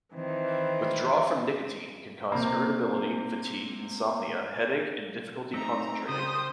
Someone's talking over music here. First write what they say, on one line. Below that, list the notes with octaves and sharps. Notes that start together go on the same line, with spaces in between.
Withdrawal from nicotine can cause irritability, fatigue, insomnia, headache, and difficulty concentrating.
D#3 E3 C4
C3 A#3
A3 C4 D#4 A#5
C#3 G4 C5 D#6